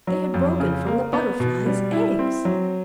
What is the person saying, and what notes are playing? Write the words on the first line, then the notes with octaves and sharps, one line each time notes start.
They had broken from the Butterfly's eggs!
F#3
F2
C#3
A#3
B3
B2
G3
E4
C4
F#3